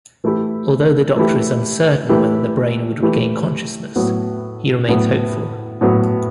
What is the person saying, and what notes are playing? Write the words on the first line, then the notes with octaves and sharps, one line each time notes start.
Although the doctor is uncertain whether the brain would regain consciousness, he remains hopeful.
E3 A3 E4 G4
E3 A3 E4 G4
E3 A3 E4 G4
E3 A3 E4 G4
A2 F#3 B3
A2 F#3 B3
A2 F#3 B3